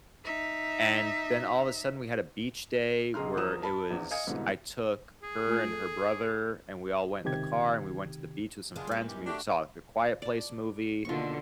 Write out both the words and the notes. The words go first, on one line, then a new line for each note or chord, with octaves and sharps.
and then all of a sudden we had a beach day where it was, I took her and her brother, and we all went in the car, and we went to the beach with some friends, and we saw The Quiet Place movie,
D#4 E5
B1 C#3 G#4 A#5 C6 F6
E2 F3 A#4 D#6 E7
A5 B5
A#1 E2
D#5 F5 G#5 D#6 G#6 C#7
C2 G#2 B2 D3 E3
G#4
A3 F4 G#5
A4
C#2 C3 D#3 G4 G#6
F1 F#2 D3 G#3 B3 D4 F4 G#4
D#3 E3 G3 B3
F#2 G4
A3 D4 F#4 G4
D5 A5
D#2 B2 D3 F4 C#6